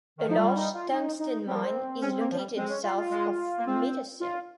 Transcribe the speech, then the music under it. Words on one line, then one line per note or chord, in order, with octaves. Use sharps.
A large tungsten mine is located south of Mittersill.
D#3
F3 D#4
G3 F4
D#4
F4
D#4
D#4
G3 C4
A#3
C4
C#4
A#3
F3
G3
G#3 C4
C#4
F4
F4
G#3
A#3
C4
F4